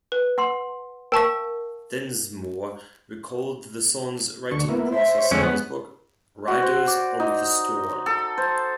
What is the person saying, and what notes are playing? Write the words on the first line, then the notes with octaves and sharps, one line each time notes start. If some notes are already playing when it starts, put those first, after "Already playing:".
Densmore recalled the song's writing process in his book "Riders on the Storm".
B4
F#5 C6
A#4 F5 G5 A5 C#6
D2 D3 C#6
A#3 B3 E4
C5 E5
C5 C#5
F2 D3 G#3 C#4
B3
F#4
C5
D5
D#4
A4
C5